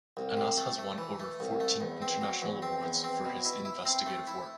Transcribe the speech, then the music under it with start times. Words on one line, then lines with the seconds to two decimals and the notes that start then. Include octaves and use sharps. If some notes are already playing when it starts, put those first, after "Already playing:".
Anas has won over fourteen international awards for his investigative work.
0.17 C2
0.37 C3
0.57 A3
0.79 A3
0.98 E3
1.20 A3
1.40 C2
1.60 A3
1.81 E2
2.02 C4
2.21 F#3
2.42 E2
2.62 C4
2.83 E2
3.04 C4
3.25 B2
3.45 E4
3.65 E4
3.85 C4
4.06 A3
4.27 E4